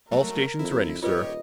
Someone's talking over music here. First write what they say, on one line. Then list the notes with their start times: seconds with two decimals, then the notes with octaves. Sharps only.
"All stations ready, sir."
0.12 F#3 A3 A#4
0.59 F2 E4
1.02 D#1 F4 G4 B4 C#5 D#5